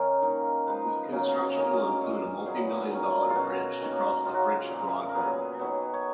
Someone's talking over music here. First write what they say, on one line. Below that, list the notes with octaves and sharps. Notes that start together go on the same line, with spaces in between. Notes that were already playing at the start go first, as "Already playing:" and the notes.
This construction will include a multimillion-dollar bridge to cross the French Broad River.
Already playing: C#3 G#3 C#4 A#4
D#3 A#3 D#4
F3 G#3 D#4 B4
C#3 F#3 A#3 C#4
D#3 A#3 C#4 D#5
A#2 G#3 C#4
A#2 F#3 B3 G#4
D#3 A#3 C#4
F4
B2 F#3 C#4 F#4
D#3 A#3 C#4
C#3 F#3 A#3 D#4 F4
F#4
F4
A#2 F3 A#3
A#4
A#2 F#3 B3 G#4
D#3 F#3 B3
C#5